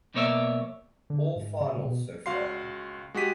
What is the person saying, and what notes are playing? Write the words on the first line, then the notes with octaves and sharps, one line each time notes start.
All finals so far.
B1 B2 A#3 C#5 D5 E5
D3
G#2
C#3
B2
C#2 F#4 F5 C6 C7
G#3 F#4 G4 B6 D#7